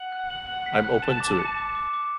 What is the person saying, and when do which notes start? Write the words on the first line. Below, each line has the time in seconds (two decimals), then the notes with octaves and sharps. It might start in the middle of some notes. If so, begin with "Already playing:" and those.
I'm open to it.
Already playing: F#5 F#7
0.12 F#6
0.30 F#7
0.49 F#5 F#7
0.66 B6
0.84 F#6
1.02 A5 E7
1.20 D6
1.39 C#7
1.57 D6
1.75 D6
1.93 D6